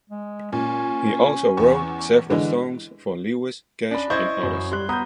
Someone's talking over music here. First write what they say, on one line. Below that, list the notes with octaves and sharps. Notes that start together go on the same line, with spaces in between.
He also wrote several songs for Lewis, Cash, and others.
G#3
A#2 C#4
E2 C#6
D3 E3 G#3
C#4 D4 D5 B5
E4 C5 D#5 C#6 G6 G#6
F#2
G3 C6 F#6
B3 A#5 B5 D#6 G6